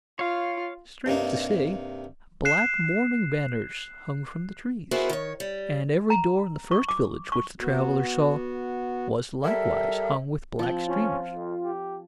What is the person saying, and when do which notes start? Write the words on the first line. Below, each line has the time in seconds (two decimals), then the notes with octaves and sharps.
Strange to say, black mourning banners hung from the trees, and every door in the first village which the travelers saw was likewise hung with black streamers.
0.19 F4 C#5 F5
1.06 G2 C3 A#3 D#4
2.45 F#6 C7 E7
4.91 B3 E4 F#4 G#4 A#4 C5
5.09 D#3 C#5
5.40 G3
6.10 A#5
6.71 C#6
6.89 D6
7.32 C#6
7.61 B3 F#4
9.44 G3 A4 A#4 E5
10.59 F3 C4
10.88 C#4 F4
11.35 F2
11.64 G4